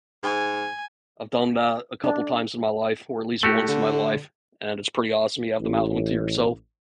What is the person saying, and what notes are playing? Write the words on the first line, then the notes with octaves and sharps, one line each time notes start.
I've done that a couple times in my life or at least once in my life, and it's pretty awesome. You have them out onto yourself.
G#2 G#5
D4
A2 A3 F#4 G4
D3
A1